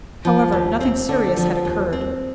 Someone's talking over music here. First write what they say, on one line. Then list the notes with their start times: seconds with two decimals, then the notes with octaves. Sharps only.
However, nothing serious had occurred.
0.25 F3
0.52 D#2
0.80 C4
1.09 D3
1.37 F3
1.65 D#2
1.93 C4